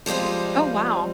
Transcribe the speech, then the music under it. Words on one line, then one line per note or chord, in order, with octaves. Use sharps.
Oh, wow.
F3 G3 G#3 C4 F4